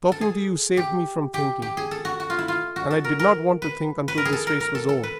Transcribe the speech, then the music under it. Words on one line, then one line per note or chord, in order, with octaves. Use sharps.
Talking to you saved me from thinking, and I did not want to think until this race was over.
A4
G#4
G4
G4
G4
G#4
A4
F#4
F#4
F4
E4
F4
F#4
A4
A#4
A#4
B4
B4
A#4
G#4
A4
A#4
A#4
A4
A4
B4